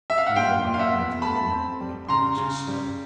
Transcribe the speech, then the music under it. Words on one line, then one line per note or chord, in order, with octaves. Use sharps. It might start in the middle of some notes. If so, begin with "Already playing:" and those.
We were in a labyrinth of ruin, and our progress was slow.
E5
F5
F#5
A#2 F5 G5
A#2
F5
E5 F#5
B3
A2 A5 B5
C4
G3
C#3 A#5 C6
C#3
G3